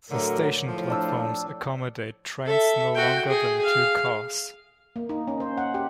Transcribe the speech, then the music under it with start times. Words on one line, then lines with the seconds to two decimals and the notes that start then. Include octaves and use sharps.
The station platforms accommodate trains no longer than two cars.
0.10 A2 D3 F#3 A#4
0.67 A2 F3
0.90 D4 E6
2.46 A4 E5
2.95 F#4 G5
3.28 G#4
3.63 F5
4.96 A#3
5.09 D#4
5.27 C#4
5.40 C5
5.58 F#5
5.74 G4